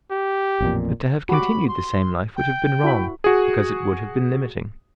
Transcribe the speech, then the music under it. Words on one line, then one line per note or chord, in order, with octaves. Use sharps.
But to have continued the same life would have been wrong because it would have been limiting.
G4
A1 F2 A#2
F#4 G4 B5 D6
C6
G5
E4 F#4 B5
F#4 G#4